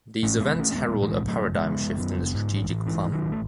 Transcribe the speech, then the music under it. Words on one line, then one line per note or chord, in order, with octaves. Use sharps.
These events herald a paradigm shift in the strategic plan.
A2 A3 C#4
B1 G#3 B3
B1 A3 C#4
C#4
A2 G#3 B3
A2
E3 G#3
B1
F#2 F#3 A3
F#1
G#3 B3
C#3
F#1
F#2
F#1
G#2
A1
A1
G#2 E3
G#2
D#3 F#3
A1
A3